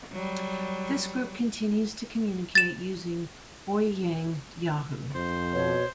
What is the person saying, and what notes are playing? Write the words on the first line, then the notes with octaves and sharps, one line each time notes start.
This group continues to communicate using Ouyang Yahoo!
F#3 G3
A6 E7
F2 C5
B2 C#5